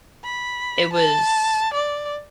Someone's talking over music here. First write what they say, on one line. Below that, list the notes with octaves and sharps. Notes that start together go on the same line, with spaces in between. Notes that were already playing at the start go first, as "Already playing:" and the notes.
It was
B5
A5
D5